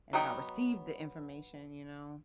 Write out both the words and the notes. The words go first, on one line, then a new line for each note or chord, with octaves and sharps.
and that I received the information, you know,
F#3 B3 D#4 G5 B5